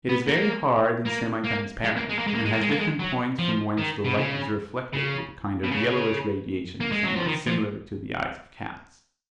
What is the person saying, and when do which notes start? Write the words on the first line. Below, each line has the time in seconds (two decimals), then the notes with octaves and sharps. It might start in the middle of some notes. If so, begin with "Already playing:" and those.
It is very hard and semi-transparent, and has different points from whence the light is reflected with a kind of yellowish radiation somewhat similar to the eyes of cats.
0.09 B3
0.27 A#3
1.05 A#3
1.44 A#3
1.84 G#3
1.96 A#3
2.09 G#3
2.18 A#3
2.27 G#3
2.35 A#3
2.45 G#3
2.53 A#3
2.61 G#3
2.70 A#3
2.79 G#3
2.99 F#3
3.39 F3
3.77 D#3
4.04 B2
4.17 C#3
4.93 C#3
5.64 B2
5.71 C#3
6.80 A#3
6.92 G#3
7.04 F#3
7.16 F3
7.27 D#3
7.47 F3